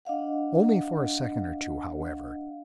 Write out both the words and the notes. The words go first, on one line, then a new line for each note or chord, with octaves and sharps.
Only for a second or two, however.
D4 D#5 F5 F#5